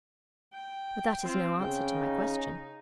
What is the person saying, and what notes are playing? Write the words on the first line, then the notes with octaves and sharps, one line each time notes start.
But that is no answer to my question.
G5
C4 F4
C#3 G5
D#4